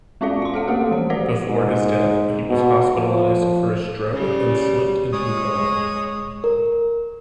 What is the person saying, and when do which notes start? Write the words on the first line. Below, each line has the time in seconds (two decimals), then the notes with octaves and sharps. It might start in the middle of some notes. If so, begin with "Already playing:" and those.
Before his death, he was hospitalized for a stroke and slipped into a coma.
0.21 G#3 C#4 F4 F#4 D5 F5
0.42 F5 C6
0.54 F#4 A4 F#5
0.68 A3 A#3 G4 A4
0.91 E3 F3 F#5
1.10 F#4 G4 C5 D5
1.48 G#2
2.50 B2
2.96 F3
4.11 C#3 G3
5.12 G#3 C#5 D#6
6.44 A#4